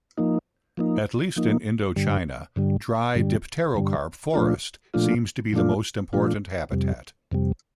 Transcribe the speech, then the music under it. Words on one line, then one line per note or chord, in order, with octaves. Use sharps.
At least in Indochina, dry dipterocarp forest seems to be the most important habitat.
F3 A#3 D#4
F3 A#3 D#4
F3 A#3 D#4
G2 D3 G3
G2 D3 G3
G2 D3 G3
G2 D3 G3
A#2 F3 A3 D4 F4
A#2 F3 A3 D4 F4
A#2 F3 A3 D4 F4
A#2 F3 A3 D4 F4
F2 C3 G3
F2 C3 G3